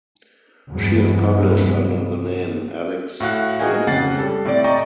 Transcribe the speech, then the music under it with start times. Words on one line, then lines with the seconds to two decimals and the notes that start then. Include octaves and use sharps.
She has published under the name Alix Heintzman.
0.69 E2 G2 C3 F#3 G#3 B3
3.20 A2 F#4 F5 F#6
3.59 F#4 G#4 A#4 D#5 G5 G#5
3.87 F2 C#3 C#4 F#5 A6 C7
4.19 G3 A4
4.45 A2 C3 D5
4.64 D5 D#5 G5 A#5 C#6